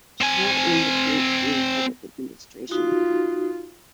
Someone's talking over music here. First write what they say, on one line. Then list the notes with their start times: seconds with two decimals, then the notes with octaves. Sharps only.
Shelat earned a PhD in public administration.
0.21 C4 G#5
2.71 D#4 F4 F#4